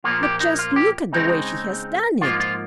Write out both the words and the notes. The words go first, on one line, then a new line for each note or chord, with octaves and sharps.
But just look at the way she has done it!
A#2 F3 A#3 F4
G4
D#4
F4
G4
C#3 G#3 C4 D#4
G#2 F3 A#3 F4
F4